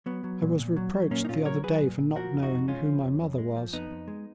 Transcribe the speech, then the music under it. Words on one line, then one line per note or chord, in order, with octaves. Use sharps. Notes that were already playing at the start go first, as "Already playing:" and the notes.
"I was reproached the other day for not knowing who my mother was."
F#3 B3
F#3
A#2
A#2
F#3
F#3
A#2 A#3 C#4
D#4
A#2 C#4 F4
F#3 A#4 C#5
F#3 G#4 B4
A#2
A#2
F3 F#4 A#4
F2
D#4 F#4
F2
G#3 C#4 F4
F3
F2
F2
G#3
F3
F2 B3 D#4
F2
G#3